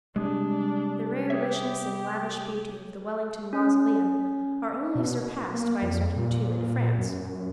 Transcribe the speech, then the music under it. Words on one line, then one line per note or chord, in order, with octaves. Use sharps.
The rare richness and lavish beauty of the Wellington mausoleum are only surpassed by a certain tomb in France.
C3 G3 G#3 D4 G#4
G4 G#4 C#5 E5
C#4
B2
A#3
F2
A#2
A#2
F#2